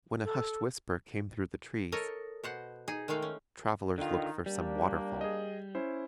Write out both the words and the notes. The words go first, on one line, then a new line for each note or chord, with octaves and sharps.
When a hushed whisper came through the trees, travellers looked for some waterfall.
A4
A4 A#4 C#5 D#5
B2 C5 F#5
D#4 G#4
D#3 G#3 A3 F5 G5
C#4
D3 D#3 F4
G3 A#3 D4
G#4 D#5
C#4 E4 C5